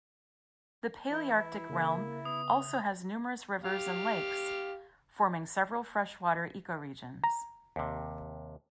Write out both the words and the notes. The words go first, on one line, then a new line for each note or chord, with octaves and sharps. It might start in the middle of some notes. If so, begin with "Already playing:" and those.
The Palaearctic realm also has numerous rivers and lakes, forming several freshwater ecoregions.
E3 E4
C#3 A#3 E5
B3 D#6
G4 F5
A#5
D#2 C3